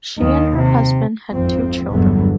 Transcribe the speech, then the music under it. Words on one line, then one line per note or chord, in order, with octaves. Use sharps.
She and her husband had two children.
D#2 D#3
C3
G#1 F2 F3 C4
G1 E2 G2 D3 F#3 B3